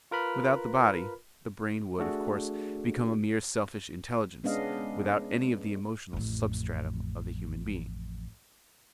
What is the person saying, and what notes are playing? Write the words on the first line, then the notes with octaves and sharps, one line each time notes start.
Without the body the brain would, of course, become a mere selfish intelligence, without any of the emotional substratum of the human being.
F4 A#4 B4 B5 F6
A3 D4 F#4 G#4 A4
G#3 B3 C#4 D4 D#5 F5
A1 F2